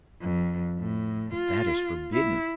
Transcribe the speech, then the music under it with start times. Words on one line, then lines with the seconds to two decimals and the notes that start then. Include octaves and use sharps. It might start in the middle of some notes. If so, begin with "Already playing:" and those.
But that is forbidden!
0.21 F2
0.79 A2
1.34 F4
2.13 E4